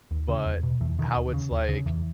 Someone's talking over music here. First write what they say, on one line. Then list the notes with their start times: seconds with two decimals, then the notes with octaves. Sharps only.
but, how it's like
0.11 D#2
0.28 C#3
0.46 E2
0.63 B2
0.81 E2 E3
0.99 B2 D#3
1.16 D#2
1.34 C#3
1.51 D#2
1.69 C#3
1.86 E2 E3